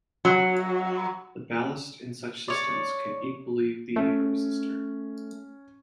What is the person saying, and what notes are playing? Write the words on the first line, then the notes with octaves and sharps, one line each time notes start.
The ballast in such systems can equally be a resistor.
F#3
C#5 D5
A3 C#4